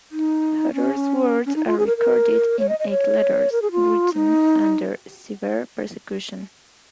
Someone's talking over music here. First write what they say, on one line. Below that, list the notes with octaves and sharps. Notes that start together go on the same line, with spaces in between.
Hutter's words are recorded in eight letters, written under severe persecution.
D#4
C#4
C#4
D#4
F4
G#4
A#4
A#4
C#5
D#5
D#5
C#5
A#4
G#4
F4
D#4